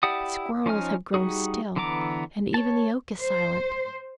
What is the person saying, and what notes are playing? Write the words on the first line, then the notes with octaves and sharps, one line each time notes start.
The squirrels have grown still, and even the oak is silent.
E4 G4 D5 F#5 D#6
F3 C#4 D#4 G#5 F6
G3 C#4 D#4 F#4 G#4
D3 E3 B3 A#5 D6
C#5 A5
C5